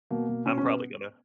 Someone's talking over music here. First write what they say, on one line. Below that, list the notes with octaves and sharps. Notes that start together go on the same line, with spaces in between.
I'm probably gonna.
B2 A#3
B2
B2 C#4
C#4
B2
B3